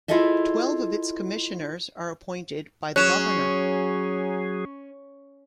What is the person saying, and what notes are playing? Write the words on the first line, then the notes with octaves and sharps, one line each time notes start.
Twelve of its commissioners are appointed by the governor.
E4 F4 G#4 A4 D#5 E5
F#3 C#4 G#4 F#6 E7